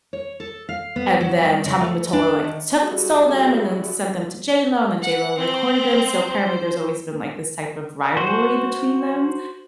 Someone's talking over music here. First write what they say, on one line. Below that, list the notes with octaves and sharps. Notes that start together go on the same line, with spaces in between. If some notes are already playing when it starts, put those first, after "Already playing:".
and then Tommy Mottola, like, took stole them and then sent them to JLo, and then JLo recorded them. So apparently, there's always been, like, this type of rivalry between them,
C#5
A4
F5
B3
F#3
G3
C#3
A3
D4
D#3
G3 C#4 E4 F#4 G#4 A4
F#5
C4 C5
F#4 C5